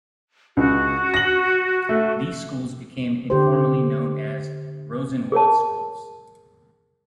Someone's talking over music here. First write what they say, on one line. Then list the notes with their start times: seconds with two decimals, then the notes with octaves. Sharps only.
These schools became informally known as Rosenwald Schools.
0.57 C#2 F#4
1.14 A#6 F#7
1.89 A3
3.30 D3 G4 C5
5.32 G#4 A#4 C#5 A5